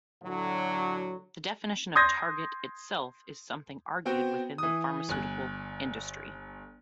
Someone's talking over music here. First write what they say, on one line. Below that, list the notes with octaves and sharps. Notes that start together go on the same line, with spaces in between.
The definition of "target" itself is something argued within the pharmaceutical industry.
A2 D3 F#3
C6 D#6 G6 G#6 A#6
B3 C4 F#4 G5
E3 D#6
G1 G#5 F#6